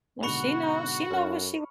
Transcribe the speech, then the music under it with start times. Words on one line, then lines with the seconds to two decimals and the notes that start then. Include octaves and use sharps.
Well, she know she know what she
0.23 G#2 B2 D3 F#4 B5 C#6 C#7
1.10 F#2 A4 C#5 F6